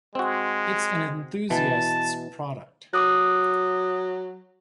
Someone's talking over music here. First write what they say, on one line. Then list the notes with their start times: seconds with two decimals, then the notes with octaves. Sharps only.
It's an enthusiast's product.
0.15 G#3 C4 F#4
1.50 B2 E3 A5
2.93 F#3 D6 D#6 F#6